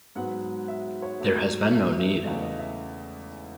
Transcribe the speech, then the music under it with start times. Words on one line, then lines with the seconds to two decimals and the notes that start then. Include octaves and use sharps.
There has been no need.
0.15 G#2 F#3 B3 F#5
0.68 E5
1.02 C#5
1.20 G#2 F#3 A3
1.72 E5
1.98 E5
2.25 E2 C#3 E3 A3 D#5
2.42 D#5
2.59 E5